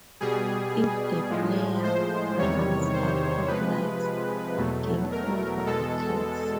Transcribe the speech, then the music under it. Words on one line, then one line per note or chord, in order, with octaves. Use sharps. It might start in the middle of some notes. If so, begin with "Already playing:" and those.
If the player runs out of lives, game over occurs.
B2 G3 G#4
A2 F3 G#3
C5
E2 C3 D#3 G3 C#5
C5
C3 F3 G#3 B4
E2 B2 F#3 A3
A#4
E2 B2 G#3 A4